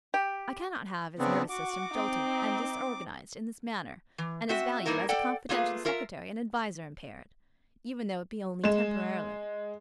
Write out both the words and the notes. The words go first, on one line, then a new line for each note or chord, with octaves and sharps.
I cannot have his nervous system jolted and disorganized in this manner, and his value as a confidential secretary and adviser impaired, even though it be only temporarily.
G4
C#3 B3 C4 D4
F#4 D6
C4 D#4
E3
C4 F#4 E5
G2 A#3 D#4 E4 A#4
A4 D5 F#5 G5
A3 A#3 F4 G#4 B4
F4 A#4 E5
G#3 E7